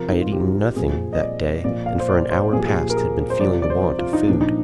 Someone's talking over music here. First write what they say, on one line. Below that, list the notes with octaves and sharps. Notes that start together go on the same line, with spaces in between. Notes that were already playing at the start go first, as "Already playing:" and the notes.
I had eaten nothing that day, and for an hour past had been feeling the want of food.
Already playing: C3 F3 A#4
D#4
F4
G4
A#2 F3 G#4
D#5
D5
A#2 F3 D5
F5
C5
D5
C5
A#2 F3 G4 G#4
G#4
A#4
G#4
C5
C3 F3 D5
D5
C5
F4
D#4
A#2 F3 D4
D#4